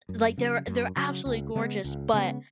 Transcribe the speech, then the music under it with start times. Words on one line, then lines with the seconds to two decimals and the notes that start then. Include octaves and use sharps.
Like, they're they're absolutely gorgeous, but
0.09 F#2
0.38 C#3 F#3
0.67 F#2
0.96 C#3 F#3
1.26 C#2
1.55 C#3 G#3 B3
1.84 C#2
2.13 C#3 G#3 B3